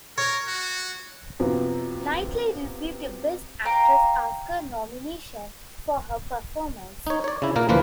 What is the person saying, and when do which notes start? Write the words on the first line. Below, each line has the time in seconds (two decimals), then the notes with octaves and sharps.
Knightley received a Best Actress Oscar nomination for her performance.
0.18 A#4 C#5
0.47 F#4
1.39 F#2 C3 F3 B3
3.65 F5 G5 A#5 D6
7.07 D#4 C#5
7.24 C#5 D5
7.42 C#3 E4
7.56 A#2 A#3 A#4
7.68 D2 E3 F3 A#3 F4 B4